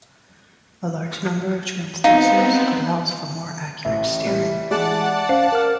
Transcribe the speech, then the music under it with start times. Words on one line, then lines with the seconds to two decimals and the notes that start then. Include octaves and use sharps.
A large number of transducers allows for more accurate steering.
2.04 B3 C4 D#4 F5
3.85 A1 E5
4.24 E3 G3
4.71 E3 G#3 D5 F#5 A5
5.29 C#4 C5 F5 C7
5.52 A#4 F6